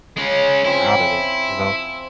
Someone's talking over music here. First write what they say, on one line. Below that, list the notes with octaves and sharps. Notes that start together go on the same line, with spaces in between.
out of there, you know?
C#3 G#3 C#4
F3 C4 E4